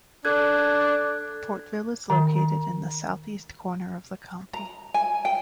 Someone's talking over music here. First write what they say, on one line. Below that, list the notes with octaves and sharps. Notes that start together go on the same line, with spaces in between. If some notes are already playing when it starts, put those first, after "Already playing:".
Portville is located in the southeast corner of the county.
D4 A4 F#6 G#6
D#3
A#5
G#5
G5